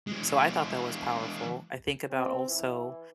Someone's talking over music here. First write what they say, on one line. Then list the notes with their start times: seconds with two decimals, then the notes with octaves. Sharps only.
so I thought that was powerful. I think about also,
0.07 E3 G#3
2.11 C4
2.48 E3